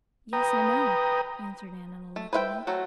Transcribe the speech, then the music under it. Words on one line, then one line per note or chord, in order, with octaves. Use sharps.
"Yes, I know," answered Anne in a low tone.
B4 G5 A#5 D#6
A3
B4 C5 E5 F5 G5
F#3 A3 F#4